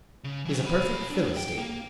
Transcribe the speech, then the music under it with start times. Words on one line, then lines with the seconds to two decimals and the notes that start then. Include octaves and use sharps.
"He's a perfect philistine."
0.24 C#3
0.45 E3 F#3
0.65 C#5 B5
1.10 B3 D4
1.37 G5
1.58 A#3